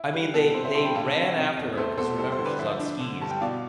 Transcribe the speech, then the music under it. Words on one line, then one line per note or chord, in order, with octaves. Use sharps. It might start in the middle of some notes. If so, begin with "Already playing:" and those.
I mean, they they ran after her 'cause remember, she's on skis
Already playing: E4
G3 B4
B2 A4
C3 A4 C5
C5 E5
G3 A5 C6
G5 B5
D3 F5 A5
C4
C3
E2
A3 A4 C5
B2 A4 C5
G3 A4 C5
A4 C5
D3
B4 D5
F3 C5 E5
D4
D3
G2 A5
G5
B2 D5 F5